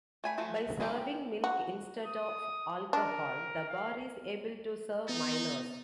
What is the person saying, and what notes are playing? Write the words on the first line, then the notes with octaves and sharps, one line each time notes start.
By serving milk instead of alcohol, the bar is able to serve minors.
A3 G#5 B5
F3 A3 F#4
G3 G#3 C4 D#4 G4
F#4
D#6
D4 A#4
F5
B3 D#4 A6